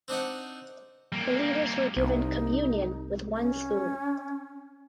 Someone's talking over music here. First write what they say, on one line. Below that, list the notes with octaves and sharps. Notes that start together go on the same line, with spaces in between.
Believers were given Communion with one spoon.
C4 D4 D#4 F#5
G3 A#3
C2 D#4
C#4